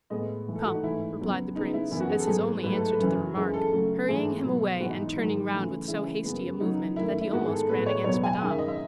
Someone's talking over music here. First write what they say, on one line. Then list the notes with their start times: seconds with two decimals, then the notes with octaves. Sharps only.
"Come," replied the prince, as his only answer to the remark, hurrying him away, and turning round with so hasty a movement that he almost ran against Madame.
0.10 A2 G#3 B3 D#5
0.46 G#2 E3 A3
0.55 A4
0.65 F#4
0.74 D#4
0.83 G#2 E3 A3 E4
1.18 E2 C#3 F#3 B3
1.55 C#3 G#3 B3 D#4
1.74 E4
1.91 F#2 E3 B3 E4
2.00 F#4
2.10 G#4
2.19 A4
2.27 G#2 F#3 B3 G#4
2.63 G#2 F#3 A3 B4
2.77 A4
2.91 B4
2.99 F#2 C#3 E3
3.36 F#2 E3 G#3
3.54 A4
3.72 C#3 F#3 A3
4.08 G#2 E3 A3 G#4
4.44 B2 F#3 B3
4.80 G#2 E3 B3 F#4
4.89 D#4
5.07 D#4
5.16 G#2 D#3 F#3
5.52 C#3 E3 A3
5.88 C#3 E3 G#3 E4
6.24 F#2 C#3 G#3 B3
6.60 C#3 F#3 B3 D#4
6.96 F#2 D#3 A3 E4
7.08 E4
7.21 E4
7.32 G#2 D#3 G#3 B3 F#4
7.45 G#4
7.51 A4
7.69 A2 G#3 B3 B4
7.86 C#5
8.04 E2 B2 F#3 B3 C#5
8.24 G#5
8.41 F#2 D#3 G#3 G#5
8.51 E5
8.59 D#5
8.68 E5